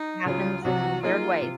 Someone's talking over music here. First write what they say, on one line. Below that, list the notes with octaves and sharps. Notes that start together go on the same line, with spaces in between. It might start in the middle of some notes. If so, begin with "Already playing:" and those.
happens in weird ways.
Already playing: D#4
C#2 C#3 F#3 C#4 F4
C2 C3 F#3 F#4
F#3 A#3 D#4 F4 G#4 D#5
C3